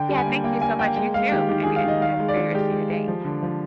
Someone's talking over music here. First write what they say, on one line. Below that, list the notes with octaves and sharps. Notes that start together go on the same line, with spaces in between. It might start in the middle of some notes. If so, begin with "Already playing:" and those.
Yeah, thank you so much, you too, and and have a great rest of your day.
Already playing: D3 G5
G3
G#5
A#3
A#3 G5
A#3 G#5
A#3 G5
G#3 G5
G#3 F5
D#3 G4
D#3 G4
D#3 G#4
F5
D#3 D#5
D#3 F5
G#3
D5
D#3
G#3 G4
G#3
G#3
F3
D3
F3